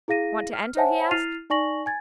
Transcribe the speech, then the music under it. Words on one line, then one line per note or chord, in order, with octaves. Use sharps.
"Want to enter?" he asked.
E4 G#4 F5 A#6 D#7
F6
C5 C#5 E5 F#5 G#5 A5
E4 F6 A6 C7 D#7 F7
D#4 D5 G#5 C#6 A#6 F#7
G#5 G#6 A6